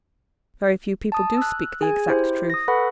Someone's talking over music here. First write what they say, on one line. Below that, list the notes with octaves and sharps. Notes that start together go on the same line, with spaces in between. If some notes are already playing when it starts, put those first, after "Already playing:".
'Very few people do speak the exact truth.
A5 D#6
E6 F#6
G#4 G#5 G#6
E4 G4 C5
D#6 A#6
A4 B4 F#5 B5 C#6